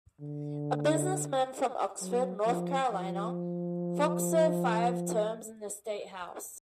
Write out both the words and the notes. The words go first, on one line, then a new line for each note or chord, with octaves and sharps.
A businessman from Oxford, North Carolina, Fox served five terms in the state House.
D3
F#3
F3
F3